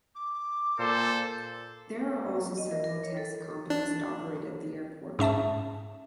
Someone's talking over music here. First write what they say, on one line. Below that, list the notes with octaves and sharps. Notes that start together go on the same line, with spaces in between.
There are also several taxi companies that operate at the airport.
D6
A#2 A4 C5
D#5
A#4
A#4
C#5
A4
D4
G#2 C#4 E5 A5